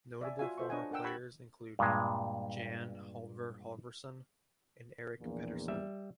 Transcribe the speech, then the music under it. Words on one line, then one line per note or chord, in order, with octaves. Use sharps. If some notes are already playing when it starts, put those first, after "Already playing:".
Notable former players include Jan Halvor Halvorsen and Erik Pedersen.
D5 E5 G#5
F4 F#4 E5 F5 G#5
F4 A4 C5 E5 C#6
D4 C#5 D#5 F#5 G#5
D4 A#4 F#5 G5 E6
G4 F#5 B5 C#6 E6
G2 A#2 G#3
A#1 E2 A#2
G3 E5